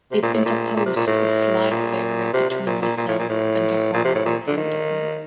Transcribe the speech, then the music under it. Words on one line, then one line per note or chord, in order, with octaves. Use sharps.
It interposed a slight barrier between myself and the horror in front of me.
C3
A#2
A2
A#2
A#2
C3
A#2
A2
A#2
C3
C3
A#2
A#2
A#2
A2
A#2
A2
A#2
C3
A2
A#2
D3
D#3